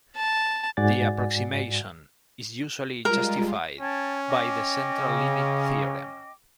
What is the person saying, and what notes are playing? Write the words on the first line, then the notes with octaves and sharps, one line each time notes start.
The approximation is usually justified by the central limit theorem.
A5
G#2 F#4 D5 F#5 G#5 A6
G3 G#3 F4 A#4
C#4 G5 A5 G#6
D#5 G5 D6
C#3